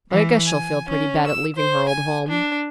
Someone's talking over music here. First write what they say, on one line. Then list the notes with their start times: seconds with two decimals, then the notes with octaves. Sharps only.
But I guess she'll feel pretty bad at leaving her old home.
0.11 E3
0.47 G#5
0.89 C#4
1.26 E6
1.55 C5
1.89 G#5
2.29 D4